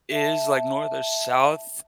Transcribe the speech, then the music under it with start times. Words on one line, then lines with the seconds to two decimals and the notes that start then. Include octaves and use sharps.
is, like north or south.
0.11 E5 A5